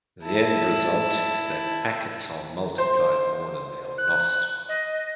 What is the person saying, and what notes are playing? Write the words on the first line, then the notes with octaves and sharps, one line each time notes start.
The end result is that packets are multiplied more than they are lost.
E4 A5
C5 C6
F#6
D#5